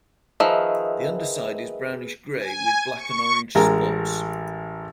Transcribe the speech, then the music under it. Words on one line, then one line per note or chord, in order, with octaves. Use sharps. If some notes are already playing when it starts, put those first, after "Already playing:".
The underside is brownish grey with black and orange spots.
D#3 F3 G#4 B4 D#5 E5
G#5
C#6
A1 G#3 A#4 A5 A#5